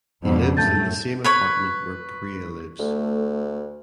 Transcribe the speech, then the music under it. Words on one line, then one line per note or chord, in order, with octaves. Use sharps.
He lives in the same apartment where Priya lives.
F2 B2 D3
F#2 A2 A3 A5 G6 A6
B4 C#5 B5
D2 A3